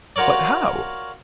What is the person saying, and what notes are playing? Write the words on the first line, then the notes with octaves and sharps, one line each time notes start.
"But how?"
F4 F#4 A#4 C#5 D5